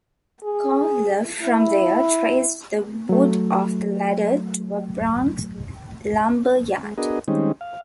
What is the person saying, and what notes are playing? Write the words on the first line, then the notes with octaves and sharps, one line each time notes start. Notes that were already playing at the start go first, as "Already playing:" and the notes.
Koehler, from there, traced the wood of the ladder to a Bronx lumber yard.
G#4
E4
F#3 A3
G#3
B3 D4 F#4 G#4 A#4 D#5
D#3 G3 G#3 C4 C#4 D#4
F5